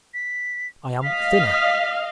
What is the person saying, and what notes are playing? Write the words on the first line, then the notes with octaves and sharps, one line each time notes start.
I am thinner.
B6
D#5 F5 B6